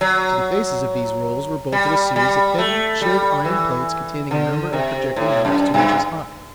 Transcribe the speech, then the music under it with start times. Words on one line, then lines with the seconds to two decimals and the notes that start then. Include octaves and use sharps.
To the faces of these rolls were bolted a series of heavy, chilled-iron plates containing a number of projecting knobs two inches high.
0.01 F#3
1.72 G3
2.16 G3
2.58 A3
3.01 G3
3.45 E3
4.31 D3
4.73 C3
5.16 A2
5.45 F#2
5.74 G2